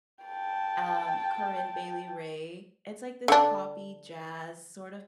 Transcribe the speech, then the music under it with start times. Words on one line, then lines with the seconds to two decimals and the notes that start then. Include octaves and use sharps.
um, Corinne Bailey Rae, it's like this poppy jazz sort of
0.24 G5 A5
3.28 D3 D4